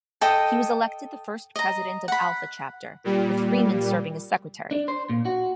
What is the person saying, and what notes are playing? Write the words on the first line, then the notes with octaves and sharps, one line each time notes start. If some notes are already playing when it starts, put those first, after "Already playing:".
He was elected the first president of Alpha Chapter, with Freeman serving as secretary.
A4 D#5 G5 D#6
D#5 A#5
F#5 B5
A#2 G3
D4
C5
A#2
F#4